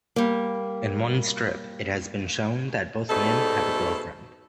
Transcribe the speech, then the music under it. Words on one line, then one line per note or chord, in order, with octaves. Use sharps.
In one strip, it has been shown that both men have a girlfriend.
G3 A#3
G#2 B2 G3 A3 D#4 A4